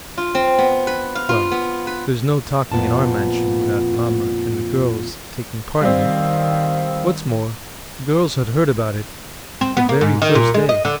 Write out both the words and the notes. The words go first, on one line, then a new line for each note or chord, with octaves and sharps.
Well, there's no talking in our mansion without mamma and the girls taking part in it. What's more, the girls had heard about it the very first day.
F4
C4
B3
B4
F5
F4
B3
B4
F2 A#2 B3 F4 A5
D#3 G3 C4 F5
C4
B3
A#3
G#2
D#3
A#2
G#3
D#5
D3